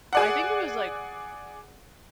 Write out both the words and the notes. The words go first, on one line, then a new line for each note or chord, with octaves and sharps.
I think it was like
G#4 D5 F#5